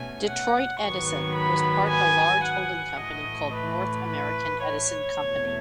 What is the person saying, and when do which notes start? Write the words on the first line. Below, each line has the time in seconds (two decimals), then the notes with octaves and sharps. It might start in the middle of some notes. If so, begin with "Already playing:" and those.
Detroit Edison was part of a large holding company called North American Edison Company.
Already playing: B2 A3 C#4 G#5
0.27 F#5
0.81 G#2 D#3 F#3 B3 C#6
1.36 B5
1.91 G#5
2.46 F#5
3.00 A2 E3 A3 D#5
3.56 B4
4.10 B4
4.65 C#5
5.19 E2 B2 A3